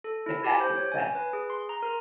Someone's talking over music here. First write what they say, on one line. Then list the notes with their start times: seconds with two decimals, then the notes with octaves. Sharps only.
If that makes sense.
0.04 A4
0.26 E4
0.44 G4
0.60 C5
0.77 C#5
0.92 G#5
1.15 B4
1.33 G#4
1.50 C6
1.69 A#5
1.82 A#4